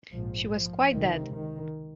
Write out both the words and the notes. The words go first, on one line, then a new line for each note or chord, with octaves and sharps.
She was quite dead.
A#1 G#2 F3
F3
C#2 C3 D#3
D#3